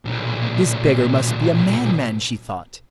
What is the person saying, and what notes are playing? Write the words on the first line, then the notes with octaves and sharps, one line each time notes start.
This beggar must be a madman, she thought.
B1 A#2